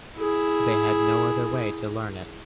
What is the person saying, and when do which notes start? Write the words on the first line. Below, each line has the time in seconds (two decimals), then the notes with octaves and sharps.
They had no other way to learn it.
0.18 E4 G#4